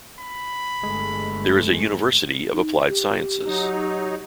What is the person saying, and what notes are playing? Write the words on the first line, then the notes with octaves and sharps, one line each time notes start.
There is a university of applied sciences.
B5
G1 G#3 A3
D#4
G4
F#3 D#4